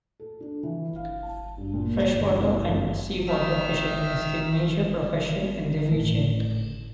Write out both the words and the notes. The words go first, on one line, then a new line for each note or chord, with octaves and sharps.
Freshwater and seawater fishing is the major profession in the region.
A4
D4
E3
F5
A5
G2
A#2
G1
C2
G1
D#3 E5 E6 F6
A2 A3